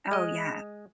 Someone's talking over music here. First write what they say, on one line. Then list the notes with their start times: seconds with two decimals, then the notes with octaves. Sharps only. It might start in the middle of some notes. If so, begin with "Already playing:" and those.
Oh, yeah.
0.11 G#3 D#5